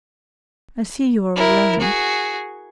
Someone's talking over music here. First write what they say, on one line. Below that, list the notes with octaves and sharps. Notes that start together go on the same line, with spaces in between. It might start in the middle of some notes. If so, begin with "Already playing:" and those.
I see you are alone.
E4 A#4
F#4 G#4